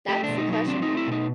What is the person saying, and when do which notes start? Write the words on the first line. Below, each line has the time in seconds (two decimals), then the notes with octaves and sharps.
That's the cushion.
0.08 A3 G4
0.24 B2 D4
0.38 D#4
0.48 F#3 D#4
0.67 C4 D4
0.82 D#4
0.87 A3
0.97 E4
1.07 B2 D#4